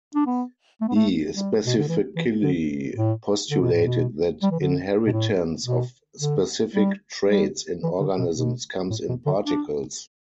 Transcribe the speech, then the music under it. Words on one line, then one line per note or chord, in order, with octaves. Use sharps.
He specifically postulated that inheritance of specific traits in organisms comes in particles.
D4
B3
A3
B3
A3
G3
B2
D3
E3
E3
D3
A2
D3
B2
A2
B2
G3
E3
D3
B2
A2
B2
D3
G3
G3
E3
D3
B2
B2
A2
B2
D3
D4